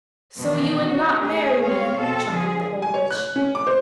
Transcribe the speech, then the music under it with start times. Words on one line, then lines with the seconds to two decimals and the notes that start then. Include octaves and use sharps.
'So you would not marry me!' chuckled the old witch.
0.39 B2 D#3 E3
0.84 F#4
1.19 A3 G#4
1.64 B3 C4 C#5 F5
1.97 B2 C4 A4
2.29 D3 F3 G#4
2.82 G#5
2.94 C#5
3.11 F#6
3.36 C#4
3.55 D6
3.67 C5